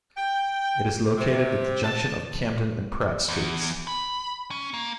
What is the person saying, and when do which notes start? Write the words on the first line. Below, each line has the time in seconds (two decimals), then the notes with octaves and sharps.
It is located at the junction of Camden and Pratt Streets.
0.17 G5
1.17 C3
1.84 A5
3.28 E2
3.87 B5
4.51 C#4
4.74 A#3